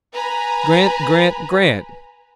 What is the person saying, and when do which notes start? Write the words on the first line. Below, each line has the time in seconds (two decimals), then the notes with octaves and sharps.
Grant, Grant, Grant!
0.12 B4 G#5 A#5 B5